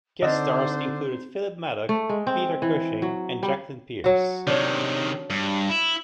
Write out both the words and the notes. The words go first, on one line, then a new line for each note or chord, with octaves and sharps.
Guest stars included Philip Madoc, Peter Cushing and Jacqueline Pearce.
D3 C4 D4 D#4 C5 D#5
A3
G#3
C4
E3
F#3
G3
F#3 F#4
C3 D#3 D4 C#5
G2
E4